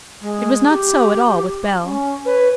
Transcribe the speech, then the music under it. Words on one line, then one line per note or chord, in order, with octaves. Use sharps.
It was not so at all with Bell.
G#3
G4
C#4
B4 C#5